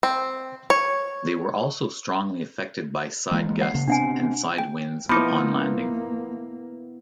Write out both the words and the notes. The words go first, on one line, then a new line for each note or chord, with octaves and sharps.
They were also strongly affected by side gusts and side winds upon landing.
C4
C#5
E3 G#3 A#3
F#5
C#3 A#3
C3 B3 C4 D4 F#5 G#5
G5
F3 A#3 B3 D#4 E4 B5 D6